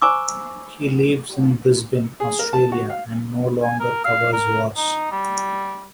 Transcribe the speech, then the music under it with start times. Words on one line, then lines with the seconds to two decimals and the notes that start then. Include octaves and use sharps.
He lives in Brisbane, Australia and no longer covers wars.
0.02 C5 G#5 A#5 C#6 D6 E6
2.20 G#4
2.39 A#4
2.53 A5
2.72 F#4
2.90 F5
3.62 G#5
3.79 A#4
4.05 F5
4.33 A#4
4.77 D#4
5.12 G3